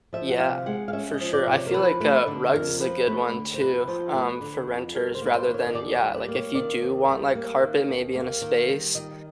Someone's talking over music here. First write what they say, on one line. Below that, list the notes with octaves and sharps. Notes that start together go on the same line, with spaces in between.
Yeah, for sure, I feel, like, uh, rugs is a good one too, um, for renters rather than, yeah, like, if you do want, like, carpet maybe in a space?
F3 E5
F#5
C3 F5
G#3 F#5
F5
C#4 E5
D#5
F3
D5
C3
C#5
A#4
F3 B4
A3 B4
D3 A4
F2 A#4
F3 B4
A3 B4
D3
C5
F2 B4
F3 C5
A3 B4
D3
F2
G3 A#4
C5
A#3 B4
C5
D#3
C#5
D#5
D#2 D5
C#5
G3
D5
A#3
C#5
D#3 D5
D#2
G3
A#3
D#3
D#2
A#3
D#3
G3
D#3 D#5